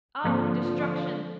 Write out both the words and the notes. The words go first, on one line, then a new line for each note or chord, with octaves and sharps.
Ah! Destruction!
G#2 D3 F3 A#3 C4